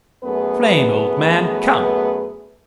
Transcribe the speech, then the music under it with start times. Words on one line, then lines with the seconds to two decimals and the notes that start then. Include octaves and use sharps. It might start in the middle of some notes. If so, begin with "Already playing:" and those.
"Flame, old man! come!"
0.23 F#2 A3 B3 G#4 B4